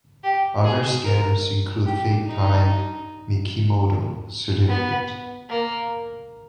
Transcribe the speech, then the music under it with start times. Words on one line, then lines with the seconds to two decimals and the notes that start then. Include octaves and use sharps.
Other scams include fake Thai Mikimoto certificates.
0.24 G4
0.64 G#4
1.05 A#4
1.86 G4
2.26 D#4
4.69 B3
5.50 A#3